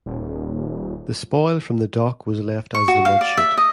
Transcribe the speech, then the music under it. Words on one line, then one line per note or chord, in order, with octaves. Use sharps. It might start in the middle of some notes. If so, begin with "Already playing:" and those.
The spoil from the dock was left as the Mudchute.
D#1
C#6
F#4
F5
D5
E5
D#5